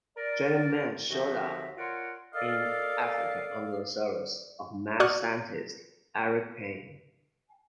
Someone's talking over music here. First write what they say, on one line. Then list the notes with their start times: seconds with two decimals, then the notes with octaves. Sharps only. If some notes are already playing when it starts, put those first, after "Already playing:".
Dragon Man showed up in Africa under the service of mad scientist Eric Pain.
0.17 A#4 D5
1.10 D#2 D3 F3 C4 F#4 E5
1.77 F4 A#4 C#5 D5 F#5 C6
2.34 A4 A#4 D5 D#5 F5
5.00 F#4 D5 C#6 D#6 F6 F#6